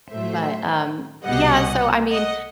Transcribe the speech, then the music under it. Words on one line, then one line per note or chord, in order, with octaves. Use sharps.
But, um, yeah, so, I mean,
A2 F#3 A3 C5 E5
C2 B2 G3 B3 D#5 F#5
D#5 F#5